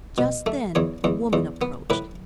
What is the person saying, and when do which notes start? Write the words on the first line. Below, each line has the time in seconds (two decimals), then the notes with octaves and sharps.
Just then a woman approached.
0.18 B2
0.46 A3
0.75 E2 C#5
1.04 E2
1.33 E2
1.61 B3
1.90 A2 B4